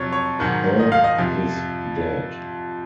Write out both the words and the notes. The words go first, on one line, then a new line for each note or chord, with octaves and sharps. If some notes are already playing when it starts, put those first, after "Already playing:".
Earth is dead.
Already playing: F2 C3 F#3 C#5
C#5
G#2 D#3 F#3
D#5
F5
D#5
F2 C3 F3